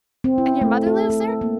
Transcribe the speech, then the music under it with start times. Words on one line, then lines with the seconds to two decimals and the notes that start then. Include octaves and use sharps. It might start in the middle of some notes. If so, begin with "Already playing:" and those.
And your mother lives there?
0.24 C4
0.38 E4
0.61 A3
0.87 A4
1.10 A4
1.41 A#3